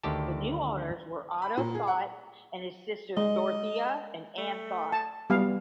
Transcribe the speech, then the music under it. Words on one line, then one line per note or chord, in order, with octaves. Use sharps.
The new owners were Otto Thott and his sisters Dorothea and Anne Thott.
D2 D3 D#3 G4 A5
B5
A#2
G#4
F#5
G#3 D#5
A3
A5
E3 G3 B3 F5